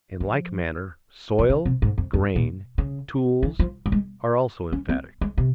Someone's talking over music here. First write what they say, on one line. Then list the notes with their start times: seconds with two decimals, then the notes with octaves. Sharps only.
In like manner, "soil," "grain," "tools," are also emphatic.
0.20 F3
1.39 E3
1.50 C#3
1.65 C3
1.82 G#2
1.98 F2
2.13 F2
2.36 A#2
2.78 C#3
3.43 E3
3.59 F3
3.86 G3
3.92 G#3
4.72 C#4
4.89 C4
5.21 G#3
5.38 C3